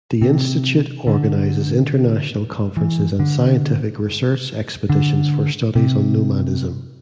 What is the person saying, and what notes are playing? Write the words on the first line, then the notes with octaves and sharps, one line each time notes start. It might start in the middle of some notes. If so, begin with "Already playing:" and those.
The institute organizes international conferences and scientific research expeditions for studies on nomadism.
C3
D3
E3
D3
D3
C3